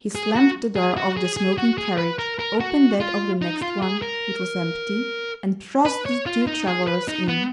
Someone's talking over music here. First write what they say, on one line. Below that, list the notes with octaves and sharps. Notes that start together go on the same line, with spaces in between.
He slammed the door of the smoking carriage, opened that of the next one, which was empty, and thrust the two travellers in.
G#4
F#4
G#4
F#4
G#4
G#4
F#4
G#4
B4
A#4
A#4
F#4
F4
D#4
F4
G#4
A#4
B4
C#5
F4
D#4
G#4
B4
D#4
B3